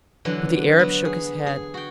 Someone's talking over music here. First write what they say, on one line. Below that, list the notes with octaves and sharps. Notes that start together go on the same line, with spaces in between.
But the Arab shook his head.
D3 E3 F#3
F#3 B3
G#4
G#4
F#4 G5